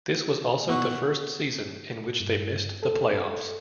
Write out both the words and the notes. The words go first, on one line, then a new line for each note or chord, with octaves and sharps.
This was also the first season in which they missed the playoffs.
B2 F#5 C#6
G2
A4